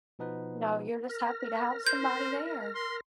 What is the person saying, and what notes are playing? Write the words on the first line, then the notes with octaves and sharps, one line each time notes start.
No, you're just happy to have somebody there.
B2 F3 B3 D#4 B4
A#4 F6 A#6
C5 G6
C6